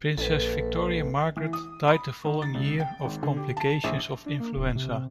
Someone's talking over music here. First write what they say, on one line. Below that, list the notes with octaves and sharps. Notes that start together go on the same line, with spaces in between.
Princess Victoria Margaret died the following year of complications of influenza.
A#1 A4 B4
E3
D#6
B5
D#3
A6
C#2
G5
G#1
D3
G4
A5
A#1
D4
A#3
D1
C3